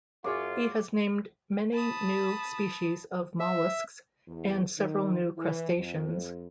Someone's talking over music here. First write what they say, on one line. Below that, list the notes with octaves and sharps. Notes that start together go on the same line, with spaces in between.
He has named many new species of molluscs and several new crustaceans.
F#2 F4 F#4 G#4 C#5 D6
A5 B5 D#6
E5
E2
D#3
E3
F2